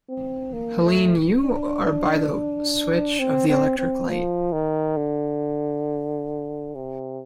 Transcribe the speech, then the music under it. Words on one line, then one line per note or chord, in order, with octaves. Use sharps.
Helene, you are by the switch of the electric light.
C4
A#3
A3
D4
C4
C4
C4
F3
D#3
D3
C3